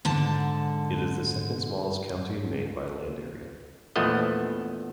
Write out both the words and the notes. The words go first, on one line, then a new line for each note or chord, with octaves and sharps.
It is the second-smallest county in Maine by land area.
G#2 D3 A5
A#1 E2 F3 A3 B3 D#5